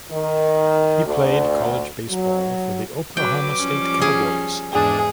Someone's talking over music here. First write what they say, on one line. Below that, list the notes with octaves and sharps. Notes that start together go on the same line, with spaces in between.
He played college baseball for the Oklahoma State Cowboys.
D#3
D2
F#3
F#3 B4 G5 D6
F3 G3 C#4
G#4
E2 G#2 D4 G#4